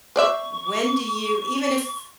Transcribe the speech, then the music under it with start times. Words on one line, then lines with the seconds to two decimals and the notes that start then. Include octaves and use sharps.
When do you even if
0.16 C5 D5 E5 C#6